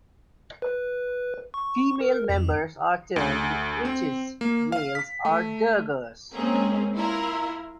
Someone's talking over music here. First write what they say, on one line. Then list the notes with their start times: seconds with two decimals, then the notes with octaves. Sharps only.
Female members are termed 'Witches', males are 'Dirgers'.
0.62 B4
1.54 C#6
2.01 A#4
2.29 F2
3.16 D2
3.85 C4
4.41 A#3
4.72 F5
4.95 B6
5.25 A3
6.34 G#3 A#3 C4 C#4 G#4 A#4
6.95 E4 F4 A#4